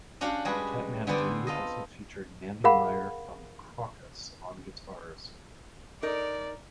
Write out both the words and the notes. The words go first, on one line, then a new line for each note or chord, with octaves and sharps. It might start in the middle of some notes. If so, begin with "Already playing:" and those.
Katmandu also featured Mandy Meyer from Krokus on guitars.
C#4 D4 F#4 G4 F5 F#5
G3 G#3 C#4 F#4 G#4 B4
D3 B3 C4 G#4 C5 D5
F4 A4 D#5
G#4 A#4 F5 F#5 B5
D#4 A#4 D5